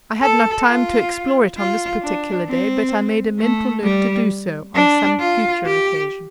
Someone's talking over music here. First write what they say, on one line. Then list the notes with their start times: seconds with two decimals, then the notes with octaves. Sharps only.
I had not time to explore it on this particular day, but I made a mental note to do so on some future occasion.
0.22 A4
0.67 F4
1.58 F4
2.02 D4
2.48 C4
3.39 A3
3.84 G3
4.75 D4
5.20 F4
5.66 G4